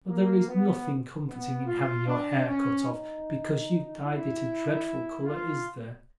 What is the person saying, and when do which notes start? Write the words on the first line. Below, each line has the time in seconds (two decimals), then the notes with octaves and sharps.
But there is nothing comforting in having your hair cut off because you've dyed it a dreadful color, is there?
0.08 A#3
0.48 B3
1.27 B3
1.66 F4
2.07 D4
2.47 C#4
2.86 D#4
4.05 E4
5.24 F4